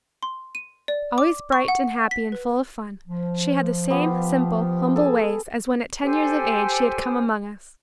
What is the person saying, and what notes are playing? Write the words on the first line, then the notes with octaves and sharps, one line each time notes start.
Always bright and happy and full of fun, she had the same simple, humble ways as when at ten years of age she had come among us.
C6
D#7
D5
D6
C#6
F#5
B6
B4
F3
B3 F4 G4
G#4 A4
G4 A4 C5 G#5